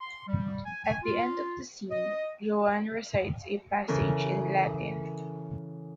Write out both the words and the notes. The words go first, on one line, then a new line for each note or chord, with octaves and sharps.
At the end of the scene, Joan recites a passage in Latin.
C6
G3
G#5
G#5
F4
D#5
C#3 E3 C#4 A4 A#4